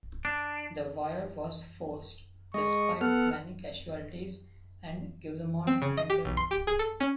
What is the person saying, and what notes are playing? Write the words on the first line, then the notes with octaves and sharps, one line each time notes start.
The wire was forced, despite many casualties and Guillemont entered.
D4
G#3 D#5 C#6
B3 A4 F#5 F6
C4
C#3
D#5
G4
B1
C6
G4
G#4
A4
C#4